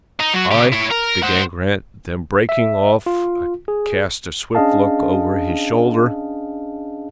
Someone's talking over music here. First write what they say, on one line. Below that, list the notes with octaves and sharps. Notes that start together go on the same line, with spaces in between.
"I----" began Grant, then breaking off cast a swift look over his shoulder.
D#4
F#3 F#4
C#3 G4
E4 C#5
A#4
C5 F#5
E5
F4
G#4
C#4 D4 G#4 D#5 F5 A5